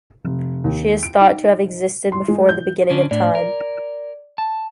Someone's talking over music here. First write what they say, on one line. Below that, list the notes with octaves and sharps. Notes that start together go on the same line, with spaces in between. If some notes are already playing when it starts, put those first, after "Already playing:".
She is thought to have existed before the beginning of time.
F1
D#2
D7
D#4
C6
G#3
G6
D3 C#4 D4
A2 D4 D5
A#4
A5